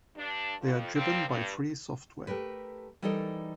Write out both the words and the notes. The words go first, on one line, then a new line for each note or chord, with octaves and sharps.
They are driven by free software.
G2 D4
F2
F3 G3 A#3 C4
G2
A3 G4 A#4 B4
E3 G3 D#4 A4 A#4 D#5